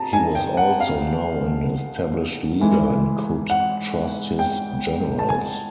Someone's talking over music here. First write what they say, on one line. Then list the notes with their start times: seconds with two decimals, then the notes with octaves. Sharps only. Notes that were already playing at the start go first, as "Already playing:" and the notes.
He was also now an established leader and could trust his generals.
Already playing: B2 A5 A#5
0.13 G#5
0.35 G5
0.57 F#5
0.80 F5
2.60 G#2 E3 A3
3.50 F#5
4.39 G5
5.19 A5
5.29 G#5